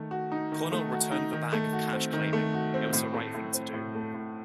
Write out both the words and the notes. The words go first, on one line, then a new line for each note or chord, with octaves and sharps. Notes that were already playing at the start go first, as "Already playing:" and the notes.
Cornell returned the bag of cash claiming, it was the right thing to do.
Already playing: D#3 A3
F#4
D#4
D#3
A3
F#4
D#4
D#3
A3
F#4
C4
D#3
A3
F#4
C4
A2
A3
A2
C4
A2
A3
A2